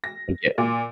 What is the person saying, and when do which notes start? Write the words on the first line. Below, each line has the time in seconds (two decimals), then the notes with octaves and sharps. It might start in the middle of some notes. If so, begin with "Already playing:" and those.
And get
0.04 A#6
0.58 A#2